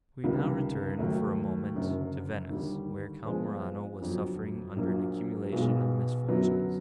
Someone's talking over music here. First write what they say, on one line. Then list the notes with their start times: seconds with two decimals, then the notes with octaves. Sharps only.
We now return, for a moment, to Venice, where Count Morano was suffering under an accumulation of misfortunes.
0.24 C#2 C3 D#3 G3 A#3
0.99 D#2 D#3 F#3 A3
1.75 F#1 F#2 D3
2.50 D#2 D3 G3
3.26 A#2 F3 G#3 B3 D4
4.01 G1 F2 D3 F#3
4.76 A#1 A#2 F#3 A#3
5.52 B1 B2 G#3
6.28 F#2 D3 F#3 B3